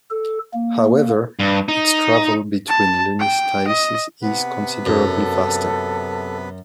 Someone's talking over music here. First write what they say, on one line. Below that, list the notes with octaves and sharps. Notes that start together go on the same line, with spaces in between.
However, its travel between lunistices is considerably faster.
A4
A#3
G2
D#4
A5
G5
D#5
C3 B3 B4 F#5
F#2 A4